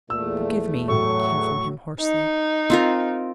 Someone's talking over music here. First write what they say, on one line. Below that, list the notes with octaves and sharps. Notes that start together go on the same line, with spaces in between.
"Forgive me," came from him hoarsely.
E2 A#2 A3 E6
A2 F#3 A4 C#6
D#4
C4 F4 A#4